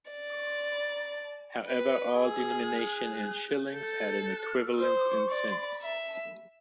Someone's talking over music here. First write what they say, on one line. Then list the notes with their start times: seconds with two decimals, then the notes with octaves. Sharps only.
However, all denomination in shillings had an equivalence in cents.
0.11 D5
1.66 B4
2.18 G#4
3.74 A4
4.78 C5
5.30 D5
5.82 E5